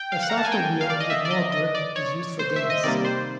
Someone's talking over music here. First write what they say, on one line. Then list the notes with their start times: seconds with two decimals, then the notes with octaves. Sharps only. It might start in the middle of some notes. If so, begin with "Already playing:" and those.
A softer wheel with more grip is used for dance.
Already playing: G5
0.12 F5
0.23 F#5
0.30 A#5
0.37 A5
0.45 G#5
0.52 G5
0.81 F5
0.90 D5
1.00 D#5
1.10 E5
1.25 D5
1.31 D#5
1.52 D#5
1.75 D5
1.96 C#5
2.39 C5
2.56 E5
2.70 D#5
2.84 C3 D#3 G3 A#3 D5
3.05 C5